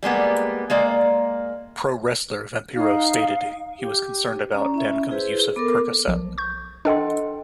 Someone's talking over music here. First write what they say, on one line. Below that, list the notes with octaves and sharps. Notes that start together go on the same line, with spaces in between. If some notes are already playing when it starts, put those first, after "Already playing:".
Pro wrestler Vampiro stated he was concerned about Duncum's use of percocet.
G3 G#3 A#3 B3
G#3 A#3 D5
D#4 F5
G4
C#4 D5 A#5
C#4 E4 E5
E4 G#4 B4 C5
B3 A4 A#4 D6
B1 F3
C#6 G6
D4 A4 D#5 F#5 G5 C6